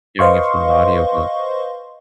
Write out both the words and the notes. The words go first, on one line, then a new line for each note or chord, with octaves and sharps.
hearing it from an audiobook.
B4 C5 D#5 F5 C6 C#6